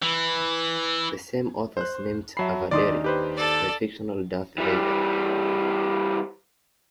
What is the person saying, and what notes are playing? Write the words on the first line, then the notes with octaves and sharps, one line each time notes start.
The same authors named "A. vaderi" after the fictional Darth Vader.
E3
C5 F#6
F#3 E5 A5 B5 C7
D#2 D4 D#4 D5 C6 D#6
G4 B4 C5
A4 D5
E3 G3